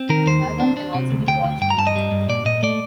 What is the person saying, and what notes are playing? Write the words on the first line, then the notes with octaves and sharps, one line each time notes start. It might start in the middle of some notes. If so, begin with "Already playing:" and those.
The Marathon can also be watched online.
Already playing: C4
D#3 A#4
D#2 C5
D#2
D4
D4
C3
D2
D2 G5
D2
G2 G5
A#5
G2 A5
D#5
G3
G2
A#2 D5
A#2 D#5
A3 D5